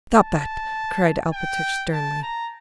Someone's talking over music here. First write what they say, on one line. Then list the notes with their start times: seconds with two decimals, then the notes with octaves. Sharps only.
"Stop that!" cried Alpatych sternly.
0.17 A5
1.33 G5
1.93 A5
2.22 A#5